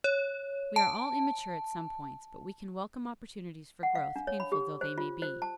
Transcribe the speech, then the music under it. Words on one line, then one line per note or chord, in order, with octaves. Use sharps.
We are all immature at some points, but we can welcome opportunities for growth, painful though they may be.
C#5
A5
F#5
F5
D4
C#5
B5
G4
C5
F4
C5
A5